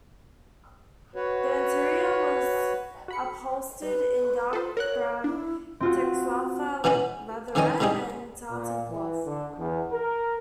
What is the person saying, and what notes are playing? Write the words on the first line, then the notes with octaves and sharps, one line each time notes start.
The interior was upholstered in dark brown Texalfa leatherette and tartan cloth.
F#4 B4 C#5
F#4 B5 C#7
G3 B4
F4 A4 B4 C5
A#4 C#5 F#5 F#6
D4 E4
C4 F4 F#4
B2 E3 C#4 F#4 B5
F2 D#3 E3 C#4 D#5 G#5
A2 C3 G3 D#4 G#4
A#2
E3
D3
E2
A#4